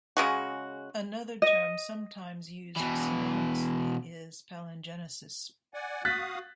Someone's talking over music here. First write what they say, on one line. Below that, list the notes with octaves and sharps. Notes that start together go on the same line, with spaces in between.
Another term sometimes used synonymously is palingenesis.
C#3 G#3 F#4
D#5
B2 E3
D5 F#5 G#5
F#4 F5 D#6 F#6 A6 B6